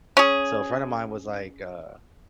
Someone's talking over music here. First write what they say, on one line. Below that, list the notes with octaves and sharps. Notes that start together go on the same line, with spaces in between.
so, a friend of mine was, like, uh
C#4 G#4